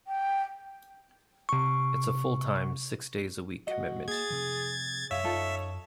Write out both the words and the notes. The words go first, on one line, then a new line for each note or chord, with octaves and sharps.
It is a full-time, six- days-a-week commitment.
G5
C3 C#6
F#4 D#5 F#5
A#3 G#4 G#6 A6
C3 F3
F#2 G#4 C#5 E5 F5
D#4 F4 A4